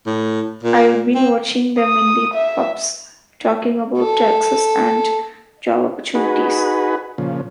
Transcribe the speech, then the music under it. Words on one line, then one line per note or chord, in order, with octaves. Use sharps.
I'd been watching them in the pubs, talking about taxes and job opportunities.
A2
A#2
C4
D#6
E5
A4
D#4 F#4 G#4 B4
A#2 C#3 F3